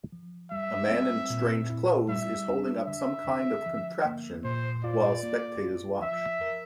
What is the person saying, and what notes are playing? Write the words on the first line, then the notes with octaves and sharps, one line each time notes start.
A man in strange clothes is holding up some kind of contraption while spectators watch.
F3
G3 E5
C4
A#2
E4
G3 E5
D4
D3 E5
D3
F3
A#3
A#2 C5
F4 D5
A#3
F4
F3 E5
A#4